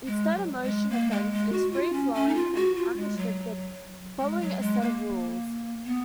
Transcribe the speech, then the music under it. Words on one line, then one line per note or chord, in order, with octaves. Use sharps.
Instead, a motion offense is free-flowing and unrestricted, following a set of rules.
G#3
F#3
G#3
A#3
G#3
G#3
F#4
F4
C#4
C#4
D#4
F4
F#4
F4
G#3
F#3
G#3
F#3
G#3
A#3
B3